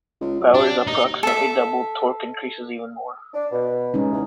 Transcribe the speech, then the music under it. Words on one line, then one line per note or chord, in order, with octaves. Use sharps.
Power is approximately doubled; torque increases even more.
C#2
F#3
D4
D#2 D#4
A4 E5
D4
B2
G#3 C#4 D#4
E2